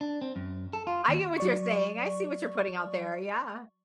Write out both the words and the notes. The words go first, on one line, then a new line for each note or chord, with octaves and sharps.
I get what you're saying, I see what you're putting out there, yeah.
D4
C4
F#2
A4
F4
D#2
F#3 D5 C#6